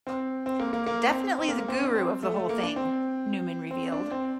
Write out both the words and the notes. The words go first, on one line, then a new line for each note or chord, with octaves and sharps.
Definitely the guru of the whole thing, Newman revealed.
C4
C4
A#3
A#3
A#3
C4
C4
A#3
A#3
C4
D4
C4
A3
A3
A#3
D4
C4
C4
D4
C4